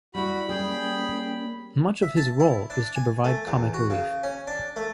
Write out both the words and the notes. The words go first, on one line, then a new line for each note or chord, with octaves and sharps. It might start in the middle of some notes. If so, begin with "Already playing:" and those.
Much of his role is to provide comic relief.
G3 E4 F#4 B5
G3 A#3 C#4 G#4 G5
E5
A5
E4
D4
G#5
A3
E2
F#4
C#3
C#4
D4
A3